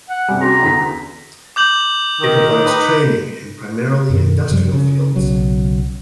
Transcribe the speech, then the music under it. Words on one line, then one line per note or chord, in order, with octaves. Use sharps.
It provides training in primarily industrial fields.
F#5
C3 G3 G#5
C#4 F#4 G#4 A#5
E2 D3 B6
D6 G6 F#7
D#3
D#4 B4
F#2 B2 D#3
F#2 C3 F3 G3
C#3
B1 C#3 F#3